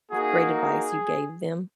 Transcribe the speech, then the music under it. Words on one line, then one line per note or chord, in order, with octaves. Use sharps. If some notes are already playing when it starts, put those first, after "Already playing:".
great advice you gave them?
A#3 D#4 F#4 G#4
G#4